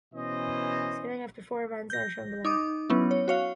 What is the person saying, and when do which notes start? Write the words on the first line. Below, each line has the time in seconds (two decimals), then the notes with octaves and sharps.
Standings after four events are shown below.
0.14 B2 E3 C#4 C5 D#5
1.90 G6 A#6
2.45 D#4 D6 D#6
2.90 F#3 B3 C#4 E4
3.11 C#5
3.28 F#4 C#5 F5